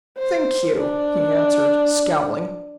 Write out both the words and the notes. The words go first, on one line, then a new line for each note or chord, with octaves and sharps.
"Thank you," he answered, scowling.
C5
D4